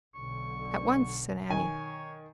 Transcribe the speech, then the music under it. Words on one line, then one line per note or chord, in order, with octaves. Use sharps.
"At once," said Annie.
B1 D3 C#6
D#3 C#5 G#5